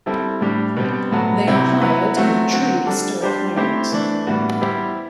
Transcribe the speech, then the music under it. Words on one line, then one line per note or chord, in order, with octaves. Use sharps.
They are hired, in a truly historic moment.
G3 C4 E4 A4
A2 G3 D4 G4
B2 G3 C4
A2 F#3 B3 F#4 A4
C3 F#3 C4 E4
F#3 B3 E4 B4
F#3 A3 C4 F#4
D3 F#3 C4 F#4
G3 D4 A4
G3 D4 G4 C5
A3 C4 E4 G4 C5
E3 A3 D4
A2 E3 G3 B3 F#4
G3 B3 E4 G4 C5